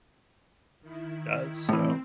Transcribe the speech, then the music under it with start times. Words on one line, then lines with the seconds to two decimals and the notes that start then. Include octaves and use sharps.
does, so
0.81 D#3 E4
1.69 A2 E3 C4